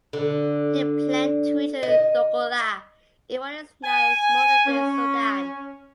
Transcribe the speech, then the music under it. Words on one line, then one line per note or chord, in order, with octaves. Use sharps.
He planned to reach Dongola in what is now modern-day Sudan.
D3
D#5
G#5
C#4